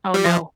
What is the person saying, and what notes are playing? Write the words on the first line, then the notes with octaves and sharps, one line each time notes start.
Oh no.
G3
F3